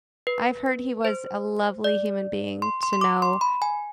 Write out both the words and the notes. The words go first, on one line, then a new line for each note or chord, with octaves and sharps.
I've heard he was a lovely human being to know.
B4
C5
D5
C6
C6
C6
D6
C6
B5
G#5